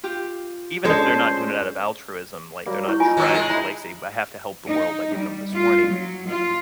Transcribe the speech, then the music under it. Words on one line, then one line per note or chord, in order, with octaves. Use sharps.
even if they're not doing it out of altruism, like they're not trying to like say "I have to help the world by giving them this warning,"
F4 G4
G#3 C#4 D4 A4 C5 C#5
F#3 G3 A#3
E4 C#5 C#6
D#4 F4 D#5 G#5
B2 D#3 F#3
G#3
D#4 E4 E5 A#5
D#4
G3
F4
F#3
F4